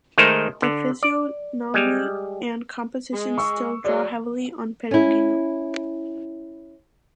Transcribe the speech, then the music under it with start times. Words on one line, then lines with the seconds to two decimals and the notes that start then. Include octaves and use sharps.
The physiognomy and composition still draw heavily on Perugino.
0.18 D#3 G#3 A3 D#4 A#4 C5
0.62 D3
1.03 D5
1.74 G3 G#3
3.13 G#3
3.38 C#6 E6
3.84 F#3 G#3 D5
4.91 C#4 E4